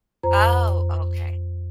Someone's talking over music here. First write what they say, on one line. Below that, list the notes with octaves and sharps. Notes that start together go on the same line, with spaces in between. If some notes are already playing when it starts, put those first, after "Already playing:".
Oh, okay.
F2 C5 A#5